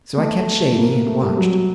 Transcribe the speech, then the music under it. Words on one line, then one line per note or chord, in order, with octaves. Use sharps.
So I kept shady, and watched.
A3
A#3
A3
G3
F#3
F#3